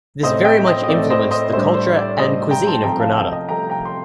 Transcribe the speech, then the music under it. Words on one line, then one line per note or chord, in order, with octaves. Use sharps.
This very much influenced the culture and cuisine of Grenada.
A2 A3 C4 C5 D#5
D#5 G5
C5 D#5
D#5
A2 A3 C4 D5
C5 D#5
C5 D#5
A2 G3 D4 C5
C5
D5
A2 G3 D4 C5 D#5
G5 A#5
A5 C6
C2 C3 F3 A3 G5 A#5
F5 A5
D#5 G5
D#5 G5
C2 C3 F3 A3 G5 A#5
G5 A#5
C6